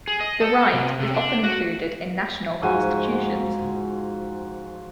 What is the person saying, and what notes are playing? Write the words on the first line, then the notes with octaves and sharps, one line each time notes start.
The right is often included in national constitutions.
G#4
D#5
A4
C3
C3
D4
F#4
G#2 F3 F#4 G#5